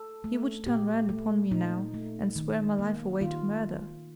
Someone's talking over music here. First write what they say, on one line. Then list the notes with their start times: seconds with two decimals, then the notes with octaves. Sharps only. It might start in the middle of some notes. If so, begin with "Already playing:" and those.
He would turn round upon me now and swear my life away to murder.
Already playing: A4
0.24 A3
0.66 A#2 G4
1.09 A3
1.51 A#2 D#4
1.94 A3
2.36 D#3
2.79 A#3
3.21 D#3 F4